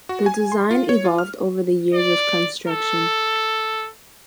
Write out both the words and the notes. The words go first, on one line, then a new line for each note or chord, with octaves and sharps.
The design evolved over the years of construction.
F#4
G#5
C6
F4
C#5
F4
F6
D5
A4